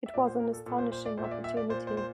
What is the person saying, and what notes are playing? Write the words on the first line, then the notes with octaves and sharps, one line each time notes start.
It was an astonishing opportunity.
E5
A#2 D5
C5
A#4
A4
A#2 A4
C5
C5
D5
A#2 C5
E5
D5
E5
D5
A#2 C5
C5
C5